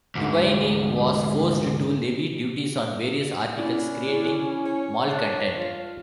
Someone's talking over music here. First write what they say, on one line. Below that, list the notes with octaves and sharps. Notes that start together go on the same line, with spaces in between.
Thuwaini was forced to levy duties on various articles, creating malcontent.
D2 G#2
C#4 D4 E4
C#5
D4 C7
F4